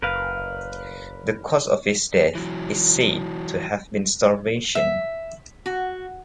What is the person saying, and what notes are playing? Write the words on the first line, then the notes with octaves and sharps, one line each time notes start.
The cause of his death is said to have been starvation.
F#1 A#4 B4 F5
E3 F#3
E5
F#4